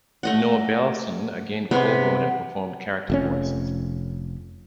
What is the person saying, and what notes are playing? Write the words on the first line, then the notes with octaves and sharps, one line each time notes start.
Noah Belson again co-wrote and performed character voices.
A3 D#5 F#5
C3 G#3 B3
F1 F2 C#4